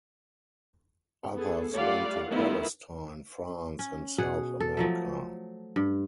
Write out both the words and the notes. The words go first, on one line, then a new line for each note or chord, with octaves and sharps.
Others went to Palestine, France and South America.
B3 G#4 A4
G3 A3 F4 D5 F5 F#5
D#3 F3 A3 B3 E4 F4
C#4
B2 G#4 F#5
A4
F3 F#3 A3
G2